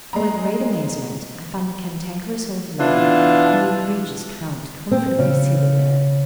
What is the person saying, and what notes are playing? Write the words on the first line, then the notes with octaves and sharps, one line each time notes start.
To my great amazement, I found the Cantankerous Old Lady and the egregious Count comfortably seated there.
G#3 A#5
B2 E3 D4 F4
C4
C#3